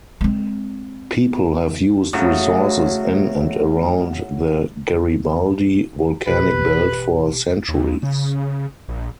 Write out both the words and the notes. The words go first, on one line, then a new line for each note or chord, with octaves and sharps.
People have used resources in and around the Garibaldi Volcanic Belt for centuries.
G#3 C4
A2 C#3 F#3
A1 B2 G4 B4
D#2
C#3
A#1